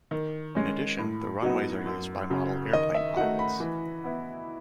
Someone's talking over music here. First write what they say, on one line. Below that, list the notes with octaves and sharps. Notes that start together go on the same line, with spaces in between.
In addition, the runways are used by model airplane pilots.
D#3
G#3 C#4
A2
F#3 B3 D#4 F#4
F#2
C#3 F#3
D#3 D#5
E5
A3 D#4 F#4 F#5
B5
E3
B3 E4